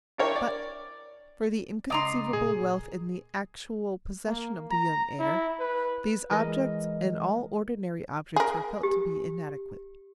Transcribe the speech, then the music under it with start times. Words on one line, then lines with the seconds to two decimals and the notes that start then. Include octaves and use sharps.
But, for the inconceivable wealth in the actual possession of the young heir, these objects and all ordinary objects were felt to be inadequate.
0.18 D4 E4 A#4 C#5 G5
0.36 D5
1.90 C#2 D5 D#5 A#5 C6
2.33 A#2 G#4
4.26 A#3
4.71 A#5
5.19 E4
5.60 B4
6.31 E3 G#3 A#4 D#5
8.36 G#4 A#4
8.83 G4